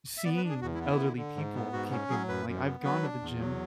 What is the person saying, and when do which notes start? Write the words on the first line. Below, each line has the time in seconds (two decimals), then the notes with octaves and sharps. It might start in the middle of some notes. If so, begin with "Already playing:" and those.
seeing elderly people keep going. Like, I've gone to the gym
0.18 E5
0.24 B3 D5
0.37 B4
0.44 D4
0.49 G#4
0.61 E2 F#4
0.74 E4
0.80 B3
0.87 E4
0.99 D3
1.17 D3
1.36 G#2
1.55 B3
1.73 G#2 F#4
1.92 C#4
2.10 F#3 G#4
2.28 F#2 B4
2.47 F#2
2.65 B3
2.84 F#3 B4
3.03 D4
3.21 E2
3.40 F#3